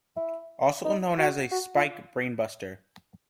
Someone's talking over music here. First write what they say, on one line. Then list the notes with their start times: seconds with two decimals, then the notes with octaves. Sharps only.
Also known as a spike brainbuster.
0.17 E4
0.85 D#4
1.18 F#4
1.52 F#4
1.75 F4